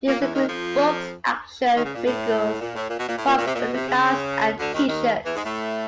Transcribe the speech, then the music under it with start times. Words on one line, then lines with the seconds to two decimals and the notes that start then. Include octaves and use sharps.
These include books, action figures, prop replicas and t-shirts.
0.05 A#2 A#3
0.20 E2 E3
0.34 D#2 D#3
0.48 F2 F3
1.75 D#2 D#3
1.85 C#3
1.95 A#2
2.05 A2
2.60 A#2
2.74 A2
2.89 A#2
2.99 B2
3.08 A#2
3.17 A2
3.27 A#2
3.37 A#2
3.45 C3
3.55 A#2
3.60 B2
3.74 C3
3.88 C#3
4.58 D2 D3
4.73 D#2 D#3
4.87 D#2 D#3
5.25 E2 E3
5.35 G#2 G#3
5.44 A2 A3